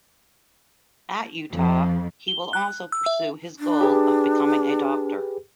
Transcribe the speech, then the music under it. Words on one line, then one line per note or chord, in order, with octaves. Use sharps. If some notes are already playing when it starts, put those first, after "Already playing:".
At Utah, he will also pursue his goal of becoming a doctor.
F2
G7
F#6
E6
E5
D4
G4 G#4 B4